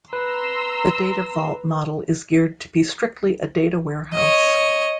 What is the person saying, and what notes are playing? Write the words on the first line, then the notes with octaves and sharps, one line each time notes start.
The data vault model is geared to be strictly a data warehouse.
B4 A#5 C6 E6
C#5 D#5